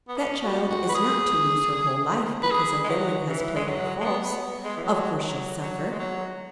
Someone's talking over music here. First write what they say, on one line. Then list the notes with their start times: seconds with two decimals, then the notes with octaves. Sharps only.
That child is not to lose her whole life because a villain has played her false. Of course she'll suffer.
0.08 B3
0.18 C#4
0.44 F#4
0.70 F#4
0.89 B4
0.95 G#4
2.43 B4
2.51 G#4
2.84 G#3
2.89 F#3
3.28 E3
3.56 G#3
3.68 F#3
4.01 G#3
4.06 B3
4.25 B3
4.44 B3
4.64 G#3
4.77 E3
4.84 F#3
5.23 F#3
5.61 F#3
5.92 G#3
6.00 F#3